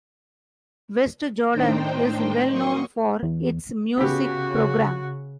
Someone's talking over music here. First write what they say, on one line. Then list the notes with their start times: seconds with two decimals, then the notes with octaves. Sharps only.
West Jordan is well known for its music program.
1.52 A2 D#3 D4 D#4 C5 G5
2.50 F#3 A#3 C6 C#6 D#6
3.23 E2
3.98 C#3 B3 F#4 G4